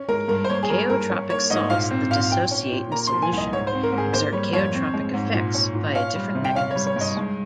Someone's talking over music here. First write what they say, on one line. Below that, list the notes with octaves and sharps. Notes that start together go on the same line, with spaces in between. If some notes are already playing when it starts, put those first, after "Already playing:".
Chaotropic salts that dissociate in solution exert chaotropic effects via different mechanisms.
Already playing: C#4
G#3 A#4
G2 A#4
C5
A#3 C#5
G#4
G3 A#4
G2 A#4
C#4
A#3 C#5
G#2 D#5
A#2 F5
C4
A#2 F5
A#2 G5
C#4
A#2
A#3 A#5
C6
F3
G#5
C2
D#5
G#2 C#5
C5
C4
A#4
G#2
G#4
A#3 C5
G3 C#5
F2 C#5
C4
G#3
G#2
A#2
C#4
A#2
C#4 F5
G3
C3
G5
C#4 F5
C#5
G3
C#5
G2 D#5
G#3